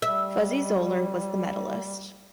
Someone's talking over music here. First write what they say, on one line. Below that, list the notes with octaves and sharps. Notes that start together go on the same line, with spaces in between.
Fuzzy Zoeller was the medalist.
G3 E5